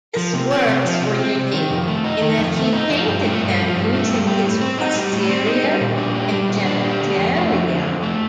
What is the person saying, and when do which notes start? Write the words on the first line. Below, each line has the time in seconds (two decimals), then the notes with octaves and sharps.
His works were unique in that he painted them using his posterior and genitalia.
0.17 F3
0.33 C3
0.51 C4
0.68 C3
0.85 F3
1.02 C3
1.19 C4
1.36 C3
1.53 D#3
1.70 F2
1.87 A3
2.04 D#4
2.22 D#3
2.38 F2
2.56 A3
2.73 D#4
2.90 F3
3.07 G2
3.24 A3
3.41 G2
3.58 F3
3.75 G2
3.93 A3
4.10 G2
4.27 G3
4.44 A2
4.61 C4
4.78 D#4
4.95 G3
5.12 A2
5.29 C4
5.46 D#4
5.63 G3
5.81 A#2
5.98 D4
6.15 G4
6.32 G3
6.49 A#2
6.66 D4
6.83 G4
7.00 D3
7.18 F2
7.35 A3
7.52 F2
7.69 D3
7.86 F2
8.03 A3